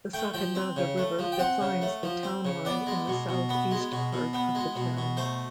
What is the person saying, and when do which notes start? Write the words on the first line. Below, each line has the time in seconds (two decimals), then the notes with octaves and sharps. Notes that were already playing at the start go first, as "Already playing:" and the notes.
The Sacandaga River defines the town line in the southeast part of the town.
0.13 A3 G5
0.34 F3 G5
0.55 C4
0.77 C#3
0.98 A3
1.19 F3
1.32 G5
1.39 C4 F#5
1.61 C#3
1.82 A3
2.03 F3
2.23 C4
2.45 C#3
2.65 B3 D5
2.87 G#3
3.07 B2
3.29 B2
3.49 B3
3.71 G#3
3.92 B2
4.13 B2
4.33 B3
4.55 G#3
4.76 B2
4.97 B2
5.17 A3 C5